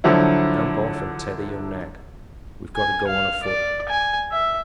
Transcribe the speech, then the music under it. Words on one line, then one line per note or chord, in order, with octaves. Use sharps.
Jump off and tether your nag. We've got to go on afoot.
D3 F3 F#3 E4
G#5
F5
D5
G#5
E5